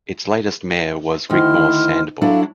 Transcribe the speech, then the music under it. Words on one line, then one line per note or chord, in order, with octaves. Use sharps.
Its latest mayor was Rigmor Sandborg.
D2 D#3 E4 C6 F6
F#3 D4 E4 A4 F5